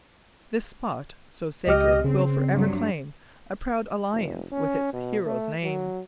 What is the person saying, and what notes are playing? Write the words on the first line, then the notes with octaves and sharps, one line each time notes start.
This spot so sacred will forever claim A proud alliance with its hero's name.
C#2 G4 D#5 F6
C#3 C4
G2 F#3
F1
C#4
B2
A3
F#3